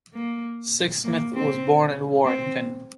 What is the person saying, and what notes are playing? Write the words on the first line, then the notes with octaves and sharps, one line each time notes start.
Sixsmith was born in Warrington.
A#3
A#3
C4
C4